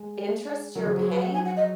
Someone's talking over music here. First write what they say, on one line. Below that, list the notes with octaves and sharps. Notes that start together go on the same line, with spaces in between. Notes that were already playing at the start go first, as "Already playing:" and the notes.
interest you're paying
Already playing: G#3
F#3 A#4
F3 G#4
F#3 G#4
B4
F#5
G#5
F#5
D#5